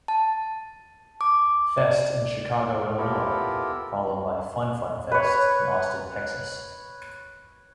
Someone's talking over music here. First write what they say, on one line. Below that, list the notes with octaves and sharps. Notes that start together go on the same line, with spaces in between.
Fest in Chicago, Illinois, followed by Fun Fun Fest in Austin, Texas.
A5
D6
D5
B3 E4 F4 G4 A4 A#4
B4 C#5